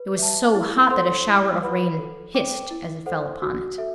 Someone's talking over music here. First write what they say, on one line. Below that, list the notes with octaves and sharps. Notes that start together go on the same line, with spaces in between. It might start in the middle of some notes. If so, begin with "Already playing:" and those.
It was so hot that a shower of rain hissed as it fell upon it.
Already playing: B4
E5 A5
E4
A4 C5 F#5 C6
E4
B4 F#5 B5
A4
C5 G5 D6
E4
A4 C5 F#5
F#4
A4 E5